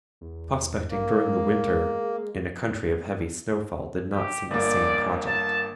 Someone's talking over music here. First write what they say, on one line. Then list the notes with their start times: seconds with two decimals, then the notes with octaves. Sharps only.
Prospecting during the winter in a country of heavy snowfall did not seem a sane project.
0.21 E2
0.91 A1 A#3
1.14 G#3
4.12 G4
4.51 G1 A#3 D5
5.26 A5